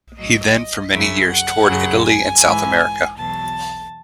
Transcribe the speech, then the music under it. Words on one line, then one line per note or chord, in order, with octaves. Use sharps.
He then for many years toured Italy and South America.
A2 F#3 D#5
F#2 C#3 F#3 E5
F#5
F#2 C#3 F#3
G#5
G#2 E3
E2 B2 F#3 A5